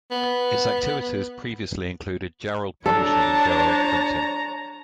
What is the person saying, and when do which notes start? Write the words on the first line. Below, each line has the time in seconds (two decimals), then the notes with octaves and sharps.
Its activities previously included Jarrold Publishing and Jarrold Printing.
0.11 B3
2.86 D4 A4 C#5 A5 A#5